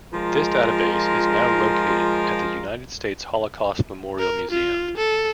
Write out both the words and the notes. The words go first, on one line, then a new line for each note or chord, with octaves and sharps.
This database is now located at the United States Holocaust Memorial Museum.
F3 G#3 F4 A#4
A#4
F4
A4